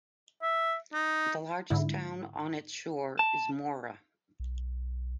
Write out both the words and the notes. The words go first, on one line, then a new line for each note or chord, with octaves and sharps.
The largest town on its shore is Mora.
E5
D#4
G#2 D3 E4
A5
B1